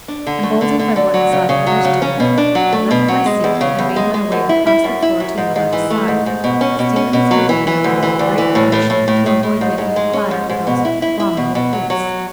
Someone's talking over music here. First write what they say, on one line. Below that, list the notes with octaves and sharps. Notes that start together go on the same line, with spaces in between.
Emboldened by what I saw the others doing, I left my seat and made my way across the floor to Yoletta's side, stealing through the gloom with great caution to avoid making a clatter with those abominable boots.
D4
D3
A3
D3
D3
D3
F#3
C#3
C#3
F#3
C#3
C#4
B2
D4
F#3
A3
B2
F#3
G#3
E2
C#3
E2
G#3
G#3
F#2
E4
E4
F#2
E4
F#2
G#2
G#2
E3
A3
G#2
G#2
B2
C#4
B2
C#4
B2
F#3
E3
E3
D2
E3
D2
E3
A2
A2
A2
A2
A2
A2
G#2
G#2
G#3
C#4
G#2
G#2
B2
E4
E4
E4
B2
B2
F#3
F#3